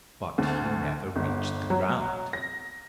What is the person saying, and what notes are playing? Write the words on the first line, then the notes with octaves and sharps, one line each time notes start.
But he never reached the ground.
D2
G1
F#3
A#6